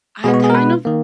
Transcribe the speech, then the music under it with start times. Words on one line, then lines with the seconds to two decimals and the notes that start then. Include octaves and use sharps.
I kind of
0.24 B2 G#3 B3 G#4
0.34 F#4
0.44 G#4
0.50 A#4
0.55 B4
0.85 D#3 A#3